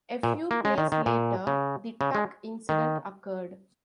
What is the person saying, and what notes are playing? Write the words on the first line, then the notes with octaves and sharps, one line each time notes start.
A few plays later, the "tuck" incident occurred.
A#2
A#3
G#3
D#3
D#3
A#2
C#3
C#3
G#3
D#3